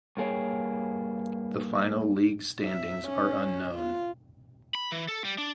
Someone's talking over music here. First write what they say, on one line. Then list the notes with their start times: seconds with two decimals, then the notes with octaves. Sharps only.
The final league standings are unknown.
0.17 G2 A#3 G#4 C#5 G5
2.64 E5
3.08 C#4
3.74 F4
4.75 B5
4.92 E3
5.08 A4
5.25 G3
5.38 D4